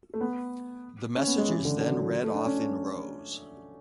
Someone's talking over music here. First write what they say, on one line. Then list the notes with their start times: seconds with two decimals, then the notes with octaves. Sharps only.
The message is then read off in rows.
0.14 A3
0.21 B3
1.16 C#4
1.27 B3
1.38 G#3
1.48 E3
1.59 C#3
1.65 D3
1.81 D3
1.91 F#3
2.02 F#3
2.23 A3
2.34 D4
2.45 C#4
2.55 D4